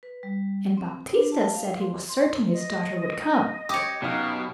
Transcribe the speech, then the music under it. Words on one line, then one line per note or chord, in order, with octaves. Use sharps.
And Baptista said he was certain his daughter would come.
B4
G3
C4
D4
A5
F5
C6
C6
D#5
G4 C#5 D#6
F#2 B2 D#4 F5 F6